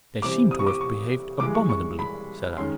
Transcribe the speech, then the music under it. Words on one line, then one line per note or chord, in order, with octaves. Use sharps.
"They seem to have behaved abominably," said I.
C3 E3 G3 C4 D6
D#6
C#6
D6
C#6
G2 E3 G#3 D6
C#6
C#6
B5
D#3 G#3 C#4 C6